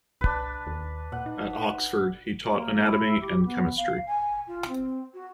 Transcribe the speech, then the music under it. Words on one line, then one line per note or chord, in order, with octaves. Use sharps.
At Oxford, he taught anatomy and chemistry.
C2 D4 B4
D#2
A#2 F#5
D#4
A#3
E4
G4
B3
F5
G#5
F4
C4
F#4